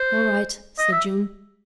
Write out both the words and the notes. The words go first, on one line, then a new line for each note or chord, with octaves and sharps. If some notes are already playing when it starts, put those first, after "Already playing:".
"All right," said June.
Already playing: C5
D#5
E5